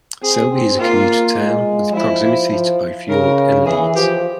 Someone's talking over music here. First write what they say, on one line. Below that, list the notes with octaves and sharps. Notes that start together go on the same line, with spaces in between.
Selby is a commuter town with proximity to both York and Leeds.
C4 G#4
C4
A#3 F4
G#3
F3 E4
F3
C#3 A#4
E3 G#4
F3 G4